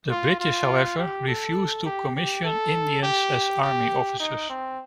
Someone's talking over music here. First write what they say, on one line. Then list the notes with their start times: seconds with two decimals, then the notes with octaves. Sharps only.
The British, however, refused to commission Indians as army officers.
0.11 F4
0.40 F4
0.98 G4
1.28 A4
1.86 G4
2.16 G4
2.45 A4
3.03 G4
3.62 G4
4.20 D#4
4.49 C4